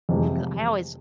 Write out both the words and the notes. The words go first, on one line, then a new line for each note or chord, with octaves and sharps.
because I always
F2 C3 E3 G#3